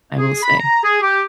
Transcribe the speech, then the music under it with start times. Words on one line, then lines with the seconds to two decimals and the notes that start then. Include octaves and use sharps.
I will say.
0.18 G#4
0.43 B5
0.59 A#5
0.83 G#4
1.02 G4